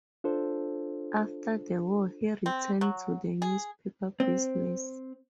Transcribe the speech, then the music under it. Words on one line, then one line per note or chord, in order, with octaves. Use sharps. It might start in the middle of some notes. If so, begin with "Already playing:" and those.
After the war he returned to the newspaper business.
D4 F4 A4 C5
C4
F#3
G#4
C4